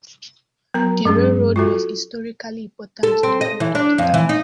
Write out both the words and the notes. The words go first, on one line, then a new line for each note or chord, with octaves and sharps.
The railroad was historically important to the growth of the town.
F#3 B3 A#4 A#5
G2 F#3 G#3 C#4 G#4
F4 F#4 A4
A4
C4
D#5
E3
D4
F2
E3
D#4